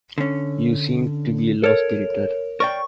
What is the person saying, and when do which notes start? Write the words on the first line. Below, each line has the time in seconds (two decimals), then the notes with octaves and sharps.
You seem to be low-spirited.
0.18 D3 C#4
1.64 A4 A#4 C#5
2.60 A#4 D5 G5 C#6